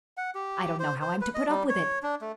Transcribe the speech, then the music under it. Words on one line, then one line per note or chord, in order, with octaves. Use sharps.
I don't know how I'm to put up with it.
F#5
G4
C5
C5
B4
D#5
G3
C#5
D4
A3